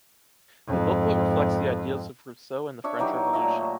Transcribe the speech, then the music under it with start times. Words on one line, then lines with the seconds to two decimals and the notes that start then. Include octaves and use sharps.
The booklet reflects the ideals of Rousseau and the French Revolution.
0.68 F2 G#2
2.84 D4 C#5 E5
2.99 E3 F#3 D#4 G4
3.33 A#2 A3 D#5 E5